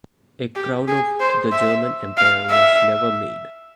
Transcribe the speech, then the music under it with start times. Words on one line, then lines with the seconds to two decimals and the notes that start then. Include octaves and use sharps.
A Crown of the German Empire was never made.
0.55 G4
0.88 G#4
1.20 C5
1.53 E5
2.17 F5
2.50 E5